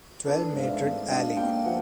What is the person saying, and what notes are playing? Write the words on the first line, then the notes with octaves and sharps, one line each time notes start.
Twelve Madrid Alley.
D4 A4 B4
G#2
F5
D5 E5
G#2
D4 D#5 F5
A#3 F5 G5
F3 E5 F#5